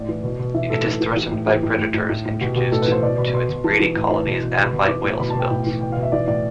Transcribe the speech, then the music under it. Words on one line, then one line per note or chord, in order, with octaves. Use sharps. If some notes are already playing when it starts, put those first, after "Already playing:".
It is threatened by predators introduced to its breeding colonies and by oil spills.
Already playing: A2 D5
E3
B2
B2
E3 E5
A2 A4
E3 A4
E3
E3 G4
A2
E3 G4
A2
A2
A2
A2
A2
B2 G4
B2 G4
A2 A4
B4
E3 C5
B2 D5
B2 B5
B2 C6
B2
E3 A5
E3
A2
E3
B2
B2
B2 B5
B5
B2
C6
E3 D6
A2
B2 B5
A5
B2 G5
A2 G5
E3
B2 G5
F5
B2
E5
E3 D5
A2 D5